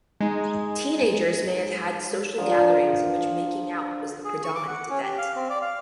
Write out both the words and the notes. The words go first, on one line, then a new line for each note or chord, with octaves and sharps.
Teenagers may have had social gatherings in which making out was the predominant event.
G#3 D#4
D3 F3 G#4 A#4
G#4
C#6
D6
F#5
C#4
G4
F5
C4
D5
F5